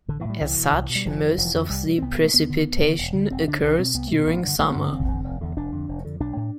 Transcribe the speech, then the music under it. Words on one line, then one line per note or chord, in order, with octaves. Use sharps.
As such, most of the precipitation occurs during summer.
A1 D3
E3
A2 G3
C2 E3
B2
C2
B2
G3
F1 F3
F2 D3
D3
F1
E3
F2 D3 F3
C2 G3
B2
C4
C2 B3
B2
A3
D2 B3
D3
D2
D3
E1
D2 D3
E1 C4
D2 D3 D4
C2 D4
B2 C4
C2 B3
B2 A3
B3
A1
G2 D3
A1 A3
B3
G2 D3 C4
B3
F1 C4
E2 D3
F1
E2 D3
F1 D4
F2 D3
F1
F2 D3
B1 D4
A2